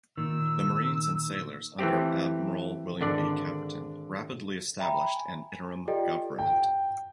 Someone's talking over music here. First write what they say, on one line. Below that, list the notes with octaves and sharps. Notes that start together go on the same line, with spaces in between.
The Marines and sailors under Admiral William B. Caperton rapidly reestablished an interim government.
A#2 D#3 E6
E3 A3 C4 G4
G#1 D3 D4 D5
E5 G5 A#5 B5
G#5
F4 G4 A4 D5 D#5 G5
G5